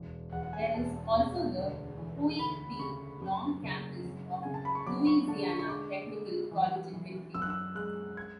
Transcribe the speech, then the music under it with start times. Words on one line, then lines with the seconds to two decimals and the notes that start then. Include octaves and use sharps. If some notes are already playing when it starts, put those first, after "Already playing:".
There is also the Huey P. Long Campus of Louisiana Technical College in Winnfield.
Already playing: E1
0.32 E2 F#5
0.43 F#5
0.53 G#5
0.74 E1 A5
1.14 E1
1.56 D2
1.97 E3
2.39 D2 B5
2.79 C#3 C#6
3.21 F#2
3.63 F#1
4.04 F#2
4.43 C#3 G#5
4.54 A5
4.65 B5
4.75 C#6
4.86 F#3 D6
5.07 C#6
5.28 D3 A5
5.49 C#6
5.59 C#6
5.69 G#3 D6
6.10 G#3
6.51 E3
6.93 E3
7.34 F#2 E6
7.42 F#6
7.50 E6
7.75 G#3 F#6
8.17 G#6